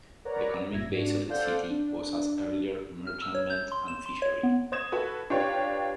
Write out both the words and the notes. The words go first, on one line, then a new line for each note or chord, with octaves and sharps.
The economic base of the city was as earlier merchantmen and fishery.
A#4 B4 C#5 D5 F#5 A#5
G1 G2 A#2 E5 G#6 A#6
G#2 D4 F#4
A4 C5 D5 F5 F#5 G6
D4
F6
E6
C#5
G6
C6
E7
C6
C#5
B3
C5 D#6 G#6 E7
F#4 A4 B4
D4 F4 G4 B4 C#5